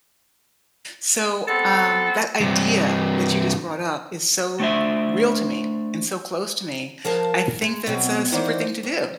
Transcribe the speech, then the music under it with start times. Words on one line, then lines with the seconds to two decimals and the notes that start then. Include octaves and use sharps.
So, um, that idea that you just brought up is so real to me and so close to me. I think that it's a super thing to do.
1.48 B3 C4 A4
2.40 G2 C3
4.60 A3 D4 C5 E5
7.05 F3 A#4 F5 A5
7.62 G#3
7.87 B2 F#3 C4
8.32 D#3 E3 C5 D5 F#5
8.83 F2